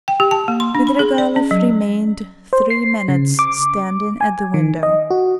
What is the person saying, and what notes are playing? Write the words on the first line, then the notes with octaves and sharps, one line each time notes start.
Svidrigailov remained three minutes standing at the window.
G5
G4
A5
A#3
C6
D4
B5
G#4
D5
C#4
F#3
C5
C7
C#3
D6
G#5
D#3
D#5
F#4